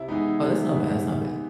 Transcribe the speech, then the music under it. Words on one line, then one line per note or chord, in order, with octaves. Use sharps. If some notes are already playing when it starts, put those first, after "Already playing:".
Oh, that's not bad, that's not bad.
Already playing: C3 E4
E3 G#3 B3 D#4
C3
E3 G#3 B3